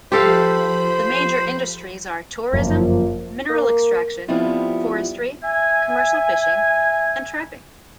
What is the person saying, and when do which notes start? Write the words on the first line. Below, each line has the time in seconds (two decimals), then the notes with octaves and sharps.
The major industries are tourism, mineral extraction, forestry, commercial fishing and trapping.
0.12 F3 G4 A4 C5 F5 B5
2.53 G1 F#2 F3 A#3
3.50 A#3
4.28 F3 G3 B3 C4 E4 F4
5.43 E5 G#5